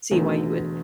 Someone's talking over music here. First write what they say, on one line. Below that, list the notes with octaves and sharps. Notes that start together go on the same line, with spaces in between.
see why you would
E1 E2 D3 F#3 A3